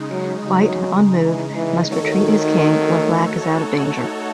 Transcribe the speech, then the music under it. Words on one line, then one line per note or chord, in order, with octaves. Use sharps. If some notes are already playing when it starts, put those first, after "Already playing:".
White, on move, must retreat his king, when Black is out of danger.
Already playing: C#3 G#3 D#4
F#3
F#3
E3
E3
D#3 A3 D#4 F#4 A4 C#5